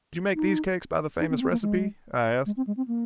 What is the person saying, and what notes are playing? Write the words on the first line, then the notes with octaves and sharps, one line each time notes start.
"Did you make these cakes by the famous recipe?" I asked.
D#4
D#4
C4
A#3
C4
A#3
G#3
G#3
C4
G#3
C4
A#3